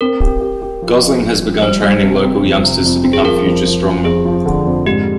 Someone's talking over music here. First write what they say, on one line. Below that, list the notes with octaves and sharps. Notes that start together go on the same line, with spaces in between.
Gosling has begun training local youngsters to become future strongmen.
C4 A#4
G4
G4
G4
F3
F3
F3
F3
G3 C5
G3
C3
C4
F2
C3
F2
C4
G#4
F3 A#4
F2
F3
F3
F2 G#4
F3
D3
F2
G#2 G4